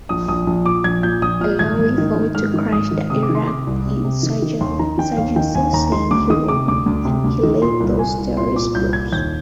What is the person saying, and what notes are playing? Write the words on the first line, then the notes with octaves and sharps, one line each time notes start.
Allawi vowed to crush the Iraqi insurgency, saying he would "annihilate those terrorist groups".
A#1 D#6
A#1 D#6
A#1
A#2 D6
A#1 G#6
A#2 G6
A#1 D#6
A#2 F6
G#1 G#6
G#1
D#3
D#3
G#2 F6
D#3
G#1 D#6
D#3
C3 D#6
D6
D#3
C6
C3 D6
C2
C3
C3
D#3
D#3
D#2 C6
D#3 A#5
D#3 G5
D#2 F5
D#3 G5
D#2 G#5
D#2 A#5
D#3 C6
D2 D6
D#3 D#6
C3 D6
D2 D6
D2
C3
D2
D#3
A#2 C6
C2
C2 G#5
C2
A#2 C6
A#2 D6
C2 G6
A#2 G#6
D#2 G6